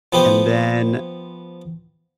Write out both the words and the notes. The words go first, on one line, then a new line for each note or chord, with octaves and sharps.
And then,
F3 B3 G4 C5